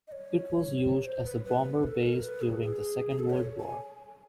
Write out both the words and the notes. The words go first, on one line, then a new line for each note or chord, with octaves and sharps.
It was used as a bomber base during the Second World War.
D#5
C#5
C5
B4
B4
A#4
A4
B4
A#4
B4
G#4
G#4
G#4
A4
C#5
A5
G#5